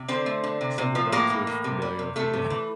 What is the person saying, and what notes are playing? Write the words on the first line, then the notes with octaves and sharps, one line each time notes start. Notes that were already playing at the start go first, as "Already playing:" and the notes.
Someone else who's familiar with it. yeah.
Already playing: C3
D3 C4 C5
A3
D3
C3
C3
F3
A2 A#3 A#4
E3
A2
C3
G3
C3
C3 A3 A4
C3
E3